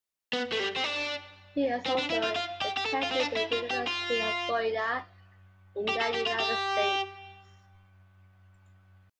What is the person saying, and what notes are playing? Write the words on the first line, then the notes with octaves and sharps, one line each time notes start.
He also attended the University of Florida in the United States.
B3
A3
G3
C4
D4
C4
D4
E4
F4
F4
G4
G4
A4
F4
C4
D4
E4
F4
G4
F4
G4
A4
G4
F4
G4